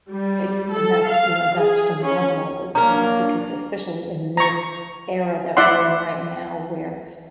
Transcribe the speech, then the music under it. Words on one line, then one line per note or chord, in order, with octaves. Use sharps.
Eh and that's you know, that's phenomenal, eh, you know, because especially in this era that we're in right now, where
G3
A4
F5
G#4
C#4
A#3 C#4 D4 A#4 A#5
A#5 C#6
E4 D5 E5 F#5 C6